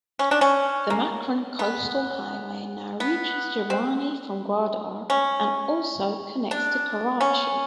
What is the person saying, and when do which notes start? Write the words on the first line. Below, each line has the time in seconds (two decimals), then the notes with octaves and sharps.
The Makran Coastal Highway now reaches Jiwani from Gwadar and also connects to Karachi.
0.19 C#4
0.31 D4
0.41 C#4
0.90 A#3
1.59 B3
3.00 B3
3.70 C4
5.10 C#4
6.51 D4
7.21 C#4